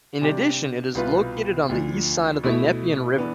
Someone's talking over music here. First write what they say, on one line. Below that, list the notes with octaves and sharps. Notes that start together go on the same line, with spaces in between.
In addition, it is located on the east side of the Nepean River.
C3 G3 D4 G4
C2 B2 B3 F4 B4
D2 D3 F3
B2 A3 E4
E3 B3 D4